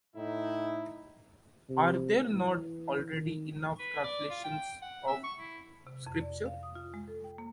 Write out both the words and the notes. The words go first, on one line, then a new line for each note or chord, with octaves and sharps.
Are there not already enough translations of Scripture?
A2 D#4 E4
C3
E3
D#3
B4
D5
F4
G5
F#5
E5
C#6
E4
C3
F2
D5
F5
D#6
F4
G#3
A4
G5
A#3